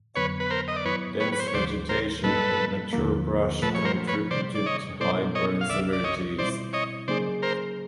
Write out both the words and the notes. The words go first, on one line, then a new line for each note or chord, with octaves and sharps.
Dense vegetation and mature brush contributed to high burn severities.
F2 D3 F#3 B3 B4 C#5
B4
A#4 C5
D#5
D5
F#2 D#3 F#3 B3 E4 B4 C#5
B4 C#5
B4
C5
C#5
D2 C#3 E3 G#3 C5 D5
A#4 C5
A#2 G3 A#3 D#4 A4 B4
D#2 D3 F3 A#3
A#2 F3 A3 A4 B4
C#5
A#4 C5
B4 C#5
C3 D#3 G3 C5 D5
D5
C#5 D#5
B2 G3 B3 E4 A4 C5 D5
C#5 D#5
F5
C2 C3 D#3 F#3 D5 E5
D5
C#5 D#5
B2 G3 C4 E4 C5 D5
C#5 D#5
C#3 F#3 A#3 D#4 G#4 C5 D5
A#4 C5